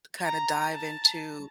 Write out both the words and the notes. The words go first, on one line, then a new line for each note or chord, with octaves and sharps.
kinda dive into,
A#5
A5